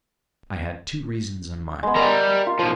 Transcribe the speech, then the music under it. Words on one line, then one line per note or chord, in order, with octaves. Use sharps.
I had two reasons in mind.
G#3 B3
G3 A#4 A#5
F4
B1 F3 C5